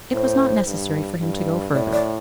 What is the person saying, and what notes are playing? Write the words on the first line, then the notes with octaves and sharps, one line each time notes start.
It was not necessary for him to go further.
A2 C5
G2
G2
A2 D5
D5